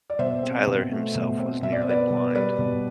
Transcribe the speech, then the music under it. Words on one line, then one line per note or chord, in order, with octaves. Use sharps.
Tylor himself was nearly blind.
D5
B2 C5 E5
C4
B2
A3
B2
C4
B2 E5
D5
C5
B3 B4 D5
B2
G3 B4 D5
B2